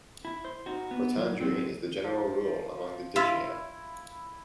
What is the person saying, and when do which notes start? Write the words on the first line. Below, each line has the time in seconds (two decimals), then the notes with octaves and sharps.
Protandry is the general rule among the Digenea.
0.25 E4
0.45 C5
0.66 D#4 F#4
0.91 B3
1.17 F#3
1.41 F#3 C4
2.04 F3
3.16 E4 F4 E5